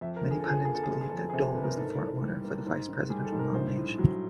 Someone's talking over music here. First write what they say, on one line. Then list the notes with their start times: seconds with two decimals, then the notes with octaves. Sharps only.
Many pundits believed that Dole was the frontrunner for the Vice Presidential nomination.
0.01 F2 E5
0.16 A#4
0.23 D3
0.31 G#4
0.39 A4
0.45 F3 G#4
0.57 A4
0.65 A#3 G#4
0.75 A4
0.84 G#4
0.90 G1 A4
1.01 G#4
1.09 F2 A4
1.18 G#4
1.30 G#4
1.34 C3 A4
1.55 G1 B4
1.63 A#4
1.77 G#2 A4
1.87 A#4
1.95 E3 A4
2.21 G3
2.44 A#3
2.66 G#2
2.88 D#3
3.10 G3 G#4
3.25 A4
3.32 G#2
3.39 A#4
3.54 A#1 C5
3.76 A2
3.98 F#3